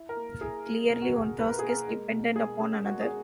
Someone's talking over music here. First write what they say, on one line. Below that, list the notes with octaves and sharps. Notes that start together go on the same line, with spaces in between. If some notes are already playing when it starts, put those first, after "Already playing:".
Clearly one task is dependent upon another.
Already playing: E4
A#4
A#3
E4 G#4
A#3
B2
F#4
B2 G#4
E4 B4
A#4
A#3 G#4
A#4
G#3
B2
G#3 G#4
C#4 G#4
G#3 F#4
G#4